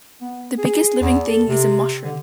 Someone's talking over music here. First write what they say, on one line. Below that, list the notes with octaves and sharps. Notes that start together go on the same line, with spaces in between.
The biggest living thing is a mushroom.
B3
G#4
E2
A4
C3
D3